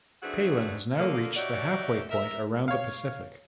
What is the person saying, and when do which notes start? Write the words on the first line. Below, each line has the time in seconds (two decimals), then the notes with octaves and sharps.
Palin has now reached the halfway point around the Pacific.
0.23 E3 A3 C4 D4 F#4 G#4
0.98 D3 F3 A#3
1.37 D#4 F#4 G4 C#5 D5 E5
2.10 A#4 E5
2.68 C#5 F5